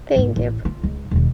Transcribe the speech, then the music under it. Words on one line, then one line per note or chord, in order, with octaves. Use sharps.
Thank you, b
C#2 G#2
A1
F4
C#2
E1 D#3